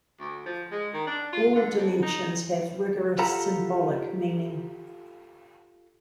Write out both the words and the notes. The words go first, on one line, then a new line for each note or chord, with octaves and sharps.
All dimensions have rigorous symbolic meaning.
D2
F3
G#3
D#3
D4
F4
D3
F2
D#4
F4 G4 A4 F#5 A#5 B5